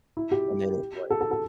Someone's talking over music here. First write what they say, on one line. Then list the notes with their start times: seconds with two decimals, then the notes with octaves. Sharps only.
and then it was
0.17 E4
0.32 G4
1.10 A4
1.21 A4
1.31 A4